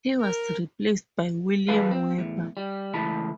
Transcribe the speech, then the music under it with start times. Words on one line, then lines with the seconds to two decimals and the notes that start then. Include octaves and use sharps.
He was replaced by William Weber.
0.20 A#4
1.68 E3 G3 G#4 A4 B4 F5
1.91 C4
2.18 E2 A2
2.57 G3
2.94 C#2 E3 A3 A5 B5